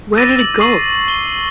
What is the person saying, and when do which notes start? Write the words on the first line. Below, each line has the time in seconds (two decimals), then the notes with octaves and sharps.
Where did it go?
0.17 D6 E6 A6 A#6 D#7
0.36 E6 F#7
0.60 C#6 C7 F#7
1.08 G7